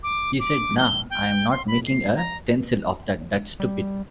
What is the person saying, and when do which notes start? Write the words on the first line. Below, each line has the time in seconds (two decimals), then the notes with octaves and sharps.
He said 'Nah, I'm not making a stencil of that, that's stupid!
0.03 D6
0.40 D6
0.78 G7
1.10 G5
1.51 C6
1.68 B5
1.87 C7
2.16 A#5
3.60 G3